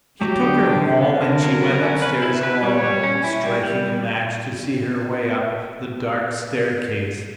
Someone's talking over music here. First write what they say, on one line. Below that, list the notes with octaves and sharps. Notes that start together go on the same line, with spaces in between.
He took her home and she went upstairs alone, striking a match to see her way up the dark staircase.
F#3 G4
D3
D3
D3
B3 A#4
D3
F#3
B3
C#4
B4
E4
B4
G3 C#5
G3
C#4
E4
G3 G5
G3